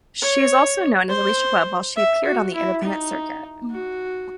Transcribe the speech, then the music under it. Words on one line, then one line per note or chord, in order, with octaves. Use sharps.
She is also known as Alicia Webb while she appeared on the Independent circuit.
C#5
C5
E5
F#4
E4
D#4
F#4